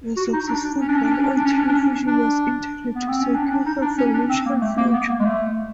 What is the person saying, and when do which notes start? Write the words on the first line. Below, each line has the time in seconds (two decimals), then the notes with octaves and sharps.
A successful run on television was intended to secure her financial future.
0.17 F#4
0.33 D#4
0.49 D4
0.64 D4
0.81 C#4
0.88 D4
0.96 C#4
1.04 D4
1.12 C#4
1.21 D4
1.28 C#4
1.36 D4
1.44 C#4
1.53 D4
1.60 C#4
1.68 D4
1.76 C#4
2.07 D4
2.95 B3
3.08 C4
3.21 C#4
3.35 D4
3.43 C#4
3.51 D4
3.66 D#4
3.82 D4
3.98 C#4
4.14 D4
4.29 C4
4.46 A#3
4.61 A3
4.77 A#3
4.93 B3
5.09 A#3
5.19 G#3
5.25 A3